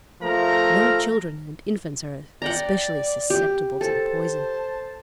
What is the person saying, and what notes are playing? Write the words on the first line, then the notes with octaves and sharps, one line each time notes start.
Young children and infants are specially susceptible to the poison.
F3 A3 A#4 A#5
D5 F#5 G5 A#5
G4
A4 C5 A5